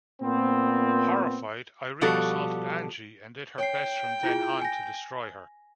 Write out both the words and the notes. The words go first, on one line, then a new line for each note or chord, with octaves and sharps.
Horrified, Irene assaulted Angie and did her best from then on to destroy her.
A#2 B3 C4
B2 F3 G3 F#4 A4
C#5 G5 C7
E4 F4 G#4
G#5 A#6